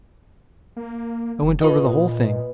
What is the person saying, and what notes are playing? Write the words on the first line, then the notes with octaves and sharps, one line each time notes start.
I went over the whole thing.
A#3
F#1
A#2 F4 B4 D#5